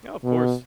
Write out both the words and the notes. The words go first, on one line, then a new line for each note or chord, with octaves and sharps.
No, of course.
B2